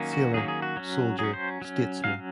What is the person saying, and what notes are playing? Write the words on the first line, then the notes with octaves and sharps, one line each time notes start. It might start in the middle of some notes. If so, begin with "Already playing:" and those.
Sailor - Soldier - Statesman.
Already playing: D#3 F#3 A#3 C#4
F#4
D#3 F#3 A#3 C#4 G#4
G#4
F#4
F#3 C#4
F#3 C#4 G#4
C5
F#3 C#4
F#3 C#4 F5